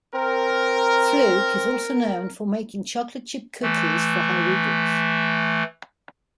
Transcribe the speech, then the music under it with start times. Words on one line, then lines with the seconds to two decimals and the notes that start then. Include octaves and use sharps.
Fluke is also known for making chocolate chip cookies for her readers.
0.14 C4 A#4
3.62 E3 A3